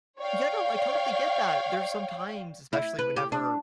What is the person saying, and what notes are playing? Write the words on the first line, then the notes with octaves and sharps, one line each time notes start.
Yeah, no. I totally get that. There's some times, especially whenever
C#5 D5 F5 G5
E4
B4
G4
D4